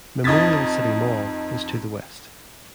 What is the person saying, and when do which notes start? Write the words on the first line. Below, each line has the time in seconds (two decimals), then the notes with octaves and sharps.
Memorial City Mall is to the west.
0.24 F2 D#4 D#6 G#6 A6 B6